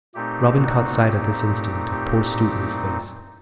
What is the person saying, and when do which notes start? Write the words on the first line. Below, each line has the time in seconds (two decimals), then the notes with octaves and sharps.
Robin caught sight at this instant of poor Stuteley's face.
0.15 A#2 A3 C4 D#4 G4
0.59 F#4
1.03 G4
1.92 G4